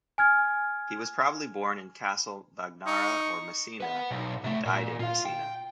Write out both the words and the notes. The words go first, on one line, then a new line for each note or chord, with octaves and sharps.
He was probably born in Castle Bagnara or Messina and died in Messina.
G#5 F6 G#6
D#4 C#6
B4 F#5
B1
C3 A3
A#2
F4 F5
G5